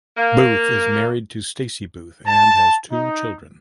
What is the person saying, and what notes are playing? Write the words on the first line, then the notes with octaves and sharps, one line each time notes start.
Booth is married to Stacy Booth and has two children.
A#3
A5
D#4